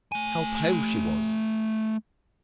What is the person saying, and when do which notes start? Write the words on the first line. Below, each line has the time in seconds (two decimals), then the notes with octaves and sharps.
How pale she was!
0.12 A3 G#5